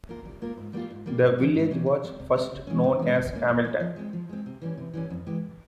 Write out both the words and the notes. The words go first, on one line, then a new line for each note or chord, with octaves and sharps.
The village was first known as Hamilton.
A#3 F4 A#4
G3
A#3 F4 A#4
G#2
G3 A#3 F4
G#2
G3 A#3 F4
G#2
E3 G3 A#3 C#4
G#2
E3 G3 A#3 C#4
C3
G3 C4
C3
G3 C4
C#3
E3 G#3 C#4
C#3
E3 G#3 C#4
G3
A#3 C#4
G3
A#3 C#4
F3
G#3 C4
F3
G#3 C4
C3
E3 G3 C#4
C3
E3 G3 C#4
F2
E3 G#3 E4 G4